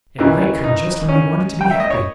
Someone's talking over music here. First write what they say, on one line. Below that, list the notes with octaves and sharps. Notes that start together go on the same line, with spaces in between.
"It might come just when you wanted to be happy!"
D#2 C#3 E3
D#4
C#4
G5
E5
D#5
C#5